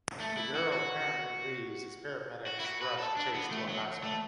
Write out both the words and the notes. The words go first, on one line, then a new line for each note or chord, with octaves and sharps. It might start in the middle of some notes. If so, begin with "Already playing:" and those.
The girl apparently leaves as paramedics rush Chase to a hospital.
A3
E4
F#4
F#4
F#4
E4
F#4
B4
A4
D4
B3
A3
F#3
A3